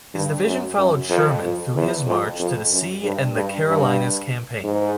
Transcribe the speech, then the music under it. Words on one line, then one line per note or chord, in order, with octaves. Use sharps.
His division followed Sherman through his March to the Sea and the Carolinas Campaign.
G2
F#2
F#2
F2
F2
E2
F2
F2
F#2
G2
G2
G2
G#2